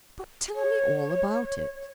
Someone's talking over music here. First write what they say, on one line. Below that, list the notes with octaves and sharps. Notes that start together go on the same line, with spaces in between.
But tell me all about it!
C#5